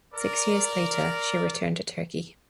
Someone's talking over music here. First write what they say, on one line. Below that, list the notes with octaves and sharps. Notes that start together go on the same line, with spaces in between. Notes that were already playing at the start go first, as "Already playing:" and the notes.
Six years later she returned to Turkey.
A#4 D5